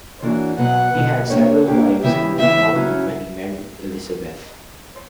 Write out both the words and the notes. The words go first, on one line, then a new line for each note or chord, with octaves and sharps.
He had several wives and did not move when he married Elisabeth.
E3 A#3 D4 F#4 C#5
B2 F#3 B3 F#5
B2 F#3 B3
A#3 D4 G4 C#5
A#3 D4 G4 C#5
C#3 E3 B3 E4 G4 E5
C#3 E3 B3 E4 G4 E5
C#3 F#3 C#4 E4